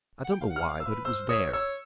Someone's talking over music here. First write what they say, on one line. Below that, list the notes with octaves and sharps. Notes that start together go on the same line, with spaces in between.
I don't know why, but it was there.
F#5
G5
F5
F#5
F6
F5
E6
B4
C5 E6
C#5 D#6
C#5 E6